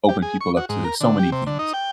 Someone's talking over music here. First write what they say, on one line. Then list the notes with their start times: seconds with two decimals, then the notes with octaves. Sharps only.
open people up to so many things.
0.09 G4
0.22 G#4
0.41 C#6
0.57 F#4
0.69 G#2
0.84 A#4
1.01 D3
1.19 G4
1.32 C3
1.47 D3
1.59 D#4
1.74 G5